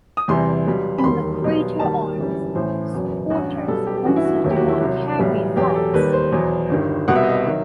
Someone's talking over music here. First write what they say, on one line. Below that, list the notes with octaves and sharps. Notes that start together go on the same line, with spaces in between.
In the greater arms, the supporters also do not carry flags.
D#6
E2 C3 E3 G3 C6
B1 B2 G3
B5
E1 D#2 D#3 G3 C6
B1 B2 G3
D#2 D#3 G3 A5
G1 F#2 E3 G3
A1 A2 E3 C5
F#1 E2 B2 F#3
A1 G2 F#3 F#4
B1 B2 G3 A4
G4
G4
A1 G2 E3 F#4
E4
F#4
E1 D#2 D#3 F#3 E4
G4
F#4
E4
C2 C3 F#3
B1 A2 E3 G3
E2 B2 F#3 G4
G4
A4
D#2 D#3 G3 B4
C5
E2 B2 F#3
G1 G2 D#3 G3
C2 B2 G3 F#5
E5
D#5
E5
D#3 F#3